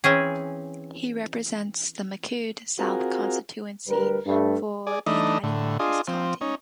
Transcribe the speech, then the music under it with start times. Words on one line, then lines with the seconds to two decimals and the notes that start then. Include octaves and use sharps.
He represents the Micoud South constituency for the United Workers' Party.
0.04 E3 C4 C#4 G#4
2.79 C4 F4 F#4 G#4 A#4
3.88 D2 G3 A#4 B4
4.27 G2 A3
4.87 G#4 D5
5.06 E3 A3 D4 D#4 D#5
5.43 A2 D3
5.79 D4 F4 G#4 D#5 C6
6.08 F3 C4
6.41 C#4 D#4